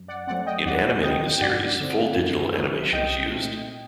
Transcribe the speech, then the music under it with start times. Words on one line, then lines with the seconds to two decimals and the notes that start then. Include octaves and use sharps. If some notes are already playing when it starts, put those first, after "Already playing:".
In animating the series, full-digital animation is used.
Already playing: F#2
0.08 D5 F#5
0.27 F#3 A3 C4 D5 F#5
0.46 D#5 G5
0.65 D#2 D5 F#5
1.03 D#3 F#3 A#3 D#5 G5
1.32 G5
1.41 G2 D5 F#5
1.80 D3 A3 C4
2.17 F#2
2.55 D#3 F#3 A#3
2.93 C2 D#5 G5
3.31 A#2 A3 C4